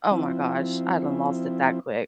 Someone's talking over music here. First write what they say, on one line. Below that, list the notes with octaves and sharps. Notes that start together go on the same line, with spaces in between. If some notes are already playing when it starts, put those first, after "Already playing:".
Oh my gosh, I done lost it that quick.
F3 C4 E4